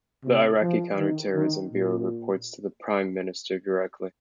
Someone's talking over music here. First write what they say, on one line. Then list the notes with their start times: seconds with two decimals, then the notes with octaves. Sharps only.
The Iraqi Counter Terrorism Bureau reports to the Prime Minister directly.
0.24 C3
0.62 F3
0.98 D#3
1.35 D#3
1.72 A#2